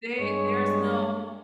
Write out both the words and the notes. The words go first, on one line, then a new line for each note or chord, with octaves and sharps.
they there's no
G2 G#3 C#5